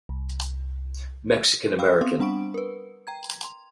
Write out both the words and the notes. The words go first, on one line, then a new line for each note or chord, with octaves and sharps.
Mexican American.
C2
F5 G5 B5 E6 F6
B3 C4 F5 C6 D#6
G3 D4 F#5 B5 C#6 D7
A#4 B4
G5 A#5 G#6
C6